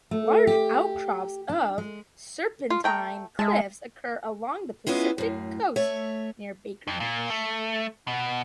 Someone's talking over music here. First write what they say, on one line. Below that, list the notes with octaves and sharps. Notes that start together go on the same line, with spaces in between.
Large outcrops of serpentine cliffs occur along the Pacific coast near Baker Beach.
A3
G4
D4
G#3
F4
A3 G5 A#5
G#3 E5 A5
G#3 B3 C#4 E4 F4
F#2 A2
A3 C#5 E5
F2
A#2
A3
B2